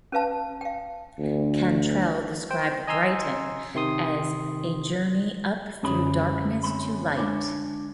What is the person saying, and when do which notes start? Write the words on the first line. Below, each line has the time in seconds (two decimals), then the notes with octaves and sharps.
Cantrell described "Brighten" as "a journey up through darkness to light".
0.12 C#4 B4 F5 A5
0.61 F5 G5
1.18 D2
2.51 C5 G5
2.87 D#5 G#5 A#5 C6 E6
3.75 C3 D#3 C6 D#6
5.83 F#2 D3 G#3 G4 G#4 B5
6.63 G#3 C4 B5
7.17 G#3 D4 C#5